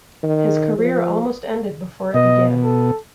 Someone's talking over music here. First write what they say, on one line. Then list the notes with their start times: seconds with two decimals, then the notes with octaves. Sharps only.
His career almost ended before it began.
0.24 D#3
0.78 F3
2.14 B2 D#5
2.63 A4